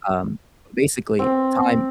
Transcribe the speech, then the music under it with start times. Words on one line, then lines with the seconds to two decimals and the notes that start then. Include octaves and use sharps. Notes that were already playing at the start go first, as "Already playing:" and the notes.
um, but basically, time
1.19 C4